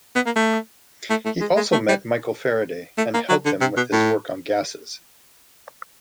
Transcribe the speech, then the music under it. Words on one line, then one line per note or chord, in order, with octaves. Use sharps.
He also met Michael Faraday and helped him with his work on gases.
B3
A#3
A3
A3
A3
G#3
G#3
A3
G3
A3
A#3
F#3
D3
C3
B2
A2